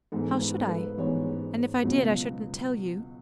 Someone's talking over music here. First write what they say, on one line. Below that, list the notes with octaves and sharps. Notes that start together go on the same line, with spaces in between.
How should I? And if I did I shouldn't tell you.
A1 G#2 G#3 B3 A4
B4
A4
B4
A1 G#2 G#3 B3 C#5
C#2 B2 F#3 B3